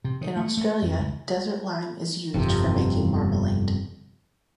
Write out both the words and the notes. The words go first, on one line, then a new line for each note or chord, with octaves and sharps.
In Australia, desert lime is used for making marmalade.
C3
D#3
A3
A3
F2
C#2
G1 F2 C3